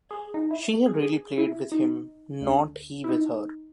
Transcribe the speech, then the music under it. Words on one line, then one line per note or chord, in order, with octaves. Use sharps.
She had really played with him, not he with her.
G#4
D#4
E4
G#4
G#4
E4
D#4
D2 D3
E4
D#4